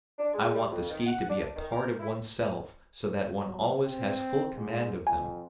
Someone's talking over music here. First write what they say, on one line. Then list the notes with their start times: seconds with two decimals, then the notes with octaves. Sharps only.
I want the ski to be a part of oneself, so that one always has full command of them.
0.19 D4
0.34 G#3
0.55 G3
0.71 F2
0.91 D#3
1.06 F#5
1.30 D4
1.56 D#3
1.72 A#4
2.00 E4
3.35 F#3
3.86 C4
4.56 G#2
5.07 F2 G#5